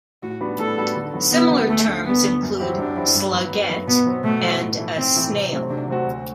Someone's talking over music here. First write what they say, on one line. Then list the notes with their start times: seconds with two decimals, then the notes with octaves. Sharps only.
Similar terms include "slugette", and a "snail".
0.23 A2 F#4
0.41 G3 B3 D4 F#4
0.59 A2 A4
0.78 G3 B3 D4 F#4
0.95 D3
1.13 F#3 B3 F#4
1.32 D3 B3
1.51 F#3 B3 F#4
1.68 D2 A3
1.87 D3 A3
2.05 D2 B3
2.23 D3 A3
2.42 F#2
2.59 F#3 C4 E4 G4
2.78 F#2 D4
2.96 F#3 C4 E4 G4
3.15 G2
3.33 F#3 B3
3.51 G2
3.69 F#3 B3
3.87 B2 B3
4.06 F#3 C4
4.24 B2 A3
4.43 F#3 C4
4.61 A2
4.78 E3 A3 E4
4.97 A2 C4
5.15 E3 A3 E4
5.33 C3
5.52 F#3 A3 C4 F#4
5.70 C3 D4
5.88 F#3 A3 C4 F#4
6.07 D2